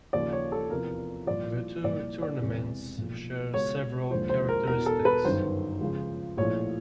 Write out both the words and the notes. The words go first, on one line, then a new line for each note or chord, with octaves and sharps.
The two tournaments share several characteristics.
D#2 C#3 F3 D5
C#5
A4
E2 C3 F3 A#4
C2 A#2 F3 D5
C2 A#2 F3 D5
D5
E1 E2 C3 E3
B1 A#2 F3
C#2 B2 C#5
E1 D#2 D3 F3 C5
C5
A#4
E2 B2 A#4
A4
B4
G1 F#2 D#3 C5
C#2 C#3 F3
A#1 A2 F3 C#5